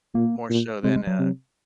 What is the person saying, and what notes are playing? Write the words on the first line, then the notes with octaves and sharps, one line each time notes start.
more so than, uh,
A#2 A#3
A#2
C3 G#3
G#3
F#3
C3